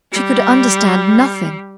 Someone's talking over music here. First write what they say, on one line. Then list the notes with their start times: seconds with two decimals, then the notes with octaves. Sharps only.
She could understand nothing.
0.12 G3